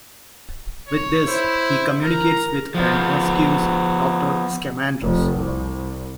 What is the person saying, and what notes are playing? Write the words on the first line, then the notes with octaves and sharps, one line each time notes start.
With this, he communicates with and rescues Doctor Scamandros.
C#5
E4 C5
A#4 A#5
F3 B3
F1
C2